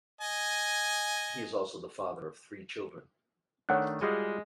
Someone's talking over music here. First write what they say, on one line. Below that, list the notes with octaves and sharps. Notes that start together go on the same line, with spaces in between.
He is also the father of three children.
D#5 G#5
D#3 A3 D4 C#5 F#5 F#6
G3 G#3 F4 F#4